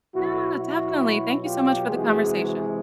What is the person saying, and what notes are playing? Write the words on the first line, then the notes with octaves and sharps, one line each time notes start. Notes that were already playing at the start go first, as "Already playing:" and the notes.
Yeah, definitely, thank you so much for the conversation.
B2 F#3 E4 F#4
E4 F#4
F4 G4
C3 E3 G#3 F#4 G#4